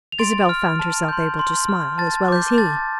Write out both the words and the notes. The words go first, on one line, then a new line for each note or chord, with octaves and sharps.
Isabel found herself able to smile as well as he.
F7
C6 A6 D7
F6
A5
C6 G6
C6
F6
A5 A6
D6 G6
A5 A6